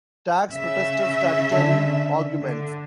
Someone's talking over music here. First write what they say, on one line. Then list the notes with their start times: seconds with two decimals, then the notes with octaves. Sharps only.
Tax protester statutory arguments.
0.50 C#3 C#4 E5
1.52 D3
2.40 D3